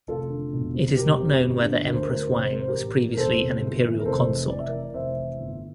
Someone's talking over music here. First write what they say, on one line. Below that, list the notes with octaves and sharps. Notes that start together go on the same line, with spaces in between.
It is not known whether Empress Wang was previously an imperial consort.
F1 F4 A4
D3
E1
C3
F1 G4 A#4
C3
G1
D3
D2 A#4
C5
A#4
D2 C5
A#4
F1 C5
A#4
C5
C3 A#4
C5
A1 G4 A#4
E3
A#4
E1 A4 C5
C3
G1
E3
A#4
F1 A4 C5
E3
F1 D5
E5
A#4 D5
E3
D5
F1 C5 E5
E3
G1